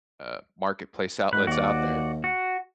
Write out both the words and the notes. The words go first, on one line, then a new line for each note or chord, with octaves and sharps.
uh, marketplace outlets out there
G#2 B4
D#2 F#4 D5
F#4